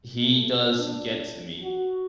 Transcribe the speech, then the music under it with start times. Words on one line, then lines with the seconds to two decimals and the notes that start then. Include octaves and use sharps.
he does get to me.
0.20 A3
0.49 C4
0.77 D4
1.63 F#4